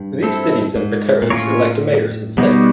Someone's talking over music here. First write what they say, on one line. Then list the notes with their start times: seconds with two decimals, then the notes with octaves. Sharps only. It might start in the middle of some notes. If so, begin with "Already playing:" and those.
These cities and Pateros elect mayors instead.
Already playing: G2
0.23 C4 E4 A4
0.76 G#2
1.22 A#2
1.30 A2 A#3 C#4 F4 A#4 C#5
2.37 B2 G3 B3 D#4 F#4